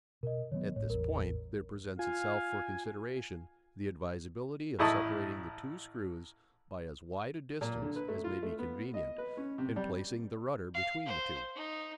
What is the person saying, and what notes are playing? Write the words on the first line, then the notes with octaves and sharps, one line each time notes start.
At this point there presents itself for consideration the advisability of separating the two screws by as wide a distance as may be convenient and placing the rudder between the two.
B2 A#4 D#5
D#3 F#3 B3 C#5
G#1 A2 C#5
A1 E2 A#4
F4 F5 G#5
A1 A2 E4 D#5 A5 C#6
A#2
D3
B4
A3
F4
A3
B3
D#5
B4
C#4
C3
G3
F5
C5
D#4